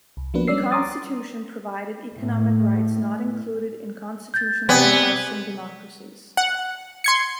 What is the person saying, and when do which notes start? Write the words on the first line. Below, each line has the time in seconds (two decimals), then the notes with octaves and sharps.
The constitution provided economic rights not included in constitutions in the Western democracies.
0.17 C2
0.34 F3 A#3 B3 D4 F#4 B4
0.48 G3 C#4 D5 E6 C7
0.71 A#5 C6 D6 D#6 A6
2.13 A2 A3
4.34 G6 A6
4.69 C3 B3 D5 G5 G#5 G#6
6.37 F#5
7.04 C6 G#6 C#7